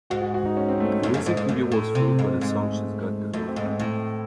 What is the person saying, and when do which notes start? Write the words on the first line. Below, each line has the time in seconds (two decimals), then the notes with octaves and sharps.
A music video was filmed for the song She's Got the Look.
0.10 G#2 F#4
0.22 F#4
0.34 F#4
0.45 D#4
0.57 C#4
0.69 C4
0.80 A3
0.92 A3
1.03 F#2
1.14 F#2
1.26 G#2
1.37 G#2
1.49 F#2 A3
1.72 A2
1.95 C3
2.19 G#2
2.41 G#2 G#3
2.56 A3
2.72 A3
3.34 F#2 A3
3.48 C4
3.56 G#2
3.64 C4
3.79 A2